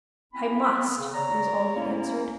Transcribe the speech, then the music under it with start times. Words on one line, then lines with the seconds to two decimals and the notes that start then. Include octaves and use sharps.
'I must,' was all he answered.
0.33 B3 C4 E4 G#5 B5
0.75 B3
0.96 C#3
1.14 C#5 D5 A#5
1.75 A#3 B3 C#4 E4